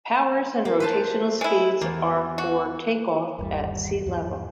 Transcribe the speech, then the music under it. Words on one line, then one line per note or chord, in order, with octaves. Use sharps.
Powers and rotational speeds are for take-off at sealevel.
A#3
B4 C5 A5
G#3 E4
E2 A#3
F#4
G1 D#2 G3
E2 G#2 F3